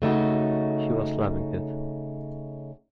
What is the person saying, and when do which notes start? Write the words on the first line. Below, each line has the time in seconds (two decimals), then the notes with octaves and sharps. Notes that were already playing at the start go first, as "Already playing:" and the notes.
He was loving it!
0.02 C#3 A3 D#4 F#4